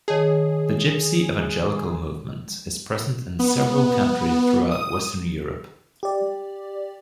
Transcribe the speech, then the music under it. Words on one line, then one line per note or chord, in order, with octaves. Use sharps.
The Gypsy Evangelical Movement is present in several countries throughout Western Europe.
D#3 G#4 C#5 A5
B3
D#6
G4 D5